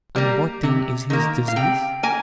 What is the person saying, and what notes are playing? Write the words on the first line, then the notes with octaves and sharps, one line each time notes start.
'And what then is his disease?'
G3 A#3
C3
D#3 A#3
F5
C3 G5
A#3 G#5